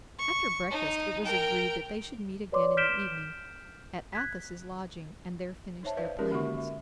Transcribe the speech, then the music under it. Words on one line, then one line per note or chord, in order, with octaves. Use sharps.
After breakfast, it was agreed that they should meet again in the evening at Athos's lodging, and there finish their plans.
C#6
D#4
A#4 G5
B4 C#5 D5 C6 D6
F6 G6 B6 D7 E7 G7
F#6 G#6 B6
D#4 C5 C#5 E5 A5
B4 C5 D5 F5
G#3 C#4 D#4 G4 G#4 A#4
D3 A#3 F#4 E5 C#6
E5